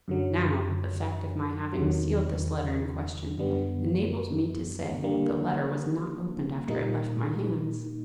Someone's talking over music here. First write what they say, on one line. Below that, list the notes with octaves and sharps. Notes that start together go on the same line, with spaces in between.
But now, the fact of my having sealed this letter in question, enables me to say that the letter was not opened after it left my hands.
F#2 D3 F#3
E2 C3 D#3 F#3
F#2 D3 G3 B3
D3 G3 A#3
A#2 G3 A#3 D#4